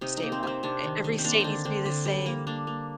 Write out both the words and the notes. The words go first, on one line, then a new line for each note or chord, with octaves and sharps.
Statewi eh every state needs to be the same.
C3 D#4
D#4
A#3
C4
C3 C4
C3 D4
D#3
D#3
C4
A#3 D4
D3 D4 D#4
D3 C4
D3
G3
A#3
A#3 D4
A#3